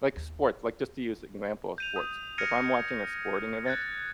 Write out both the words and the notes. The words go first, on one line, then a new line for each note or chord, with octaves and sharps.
like, sports, like, just to use an example of sports- if I'm watching a sporting event,
D#2
G6 D#7 F7
D#6
F6 G#6 A#6 C#7 D#7
F#6 G#6 A6